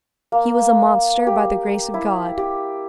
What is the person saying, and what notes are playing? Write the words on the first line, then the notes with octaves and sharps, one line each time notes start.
He was a monster by the grace of God.
A#3
G4
E4
G4